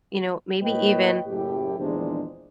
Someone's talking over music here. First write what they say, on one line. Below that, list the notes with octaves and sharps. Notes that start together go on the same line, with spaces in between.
you know, maybe even
A2 A#3 B4 C#5 D#5 G5
F#1 A2 G4
A#1 E2 D#3 G#3 D4 C5